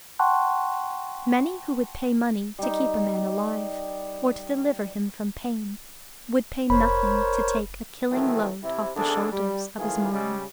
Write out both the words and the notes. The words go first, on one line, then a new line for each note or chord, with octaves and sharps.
Many who would pay money to keep a man alive or to deliver him from pain would pay nothing to take a killing load off the shoulders of his mind.
F#5 G5 A5 C6 C#6 F#6
G3 D#4
F1 A#4 C5 C#5 B5
B2 D#3 E3 F#3 A3 C4
C3 E4
G#1 E2 D4 G#4 A4
G3
A2 D#3 E3 A3 F4 G#4
C#3 G3 G#3